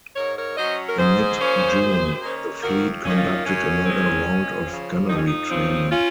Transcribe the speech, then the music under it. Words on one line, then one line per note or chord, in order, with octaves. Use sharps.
In mid-June, the fleet conducted another round of gunnery training.
G#2 A#4 C#5
A#4 C#5
F#3 C#4 C5 D#5
A#4
G#2 G#4 C5
F3 A#3 C#4
F#2
D#3 A#3 C#4
F2 F#4 A#4
D#3 A#3 C#4
C#4 F4
F#2 C#4
D#3 G#3 C4
F2
C#3 F3
F2 D#4
C#4
D#4
C#3 F3 C4
C#4 F4